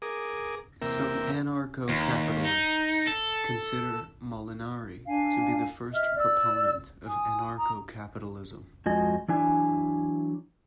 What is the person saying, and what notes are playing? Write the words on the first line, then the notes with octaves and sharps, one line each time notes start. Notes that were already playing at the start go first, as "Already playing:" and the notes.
Some anarcho-capitalists consider Molinari to be the first proponent of anarcho-capitalism.
G#4 A#4 D6 D#6
E2 C3 A#3 A#4 E5 G5
D#2
D#4
A4
D4 F5 G#5
D#5 E5 F6
D5 E6
G#5 D#6
A#5 D#6
F2 F3 G#3 F#4 D#5 G#5
E3 F#3 D4 E4 G#5